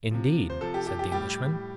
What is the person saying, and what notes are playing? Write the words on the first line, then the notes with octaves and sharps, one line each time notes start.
"Indeed!" said the Englishman.
C3 F3
C5
C3 F3 A4
G4
G4
G4
A2 G3 G4